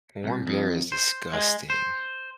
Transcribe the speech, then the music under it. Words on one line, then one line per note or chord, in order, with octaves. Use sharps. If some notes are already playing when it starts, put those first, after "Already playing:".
Warm beer is disgusting.
C2
F2
C5
G#3
C5